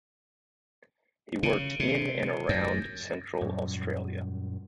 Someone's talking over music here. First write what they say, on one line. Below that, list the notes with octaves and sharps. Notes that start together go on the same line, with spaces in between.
He worked in and around Central Australia.
C#3
C3
F#2
F#2 A#2 G3